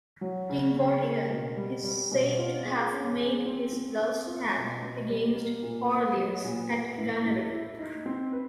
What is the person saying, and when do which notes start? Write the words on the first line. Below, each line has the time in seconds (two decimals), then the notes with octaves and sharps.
King Vortigern is said to have made his last stand against Aurelius at Ganarew.
0.21 F#3
0.49 C#3
0.76 C#3
1.04 A#3
1.30 B2
1.56 G3
1.83 G3
2.11 B2
2.38 F4
2.65 G#4
2.92 C#4
3.19 G#4
3.46 C4
3.73 C4
4.00 C4
4.27 F4
4.55 B2
4.82 B2
5.09 G3
5.35 A#3
5.63 A#2
5.89 A#3
6.16 F#3
6.44 A#2
6.70 B3
6.98 A2
7.25 A2
7.52 E4
7.79 D#4
8.06 C4
8.33 B4